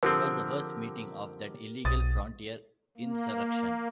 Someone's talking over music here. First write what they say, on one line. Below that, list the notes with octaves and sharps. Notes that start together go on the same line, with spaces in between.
It was the first meeting of that illegal frontier insurrection.
D3 F3 C4 G4 A#4
B1 D#6 A6
A#3